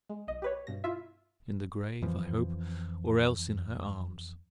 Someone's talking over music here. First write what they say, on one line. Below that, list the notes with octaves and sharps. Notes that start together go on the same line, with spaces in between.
In the grave, I hope, or else in her arms.
G#3
B1 D#5
G4 B4 C#5
G2 B2 A#6
E4 F4 E5
F2 E3 F3